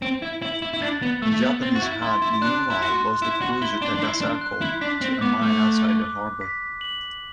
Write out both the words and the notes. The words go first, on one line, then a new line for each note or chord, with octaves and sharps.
The Japanese had meanwhile lost the cruiser "Takasago" to a mine outside the harbor.
C4 D7
E4
E4 F#7
E4
E4
D4 A6
B3
A3 E6
A3
B3
C4 A6
F#4
E4
E4 C6
E4
D4 F#6
E4
F#4 C6
E4 E7
F#4
E4 G7
D4
D4
E4 C7
D4
F#6
E4
D4 B6
C4
B3 D6
A3
F#6
D6
B6
F#7